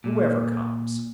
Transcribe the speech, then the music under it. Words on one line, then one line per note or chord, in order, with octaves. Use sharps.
Whoever comes.
A#2